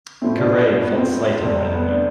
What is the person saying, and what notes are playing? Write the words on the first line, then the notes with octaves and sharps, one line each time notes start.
Caray felt slighted by the move.
A2 F3 A3 C4
D4
B3
C4
F2 C3 G3
B3
D4